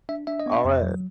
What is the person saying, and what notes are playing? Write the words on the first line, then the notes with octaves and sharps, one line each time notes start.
All right.
D4 E5
D4 E5
D#5
B3
E5
F2
F#3